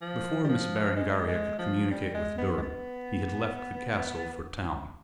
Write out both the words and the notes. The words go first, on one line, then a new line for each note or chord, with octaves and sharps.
Before Miss Berengaria could communicate with Durham, he had left the castle for town.
F3
G3
F3
G#3
G#3
F3
G3
G#3
B3
G#3
B3